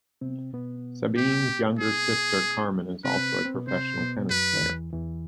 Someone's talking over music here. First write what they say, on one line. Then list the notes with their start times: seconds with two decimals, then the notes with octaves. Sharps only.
Sabine's younger sister, Carmen, is also a professional tennis player.
0.21 C3 C4
0.53 B2 B3
1.17 G4
1.79 G#4
3.04 C3 C4 B4
3.36 B3
3.45 C4
3.54 B2 B3
3.67 C3 C4 C5
3.99 B2 B3
4.30 F#2 F#3 B4
4.53 D#3
4.62 E2 E3
4.93 E2 E3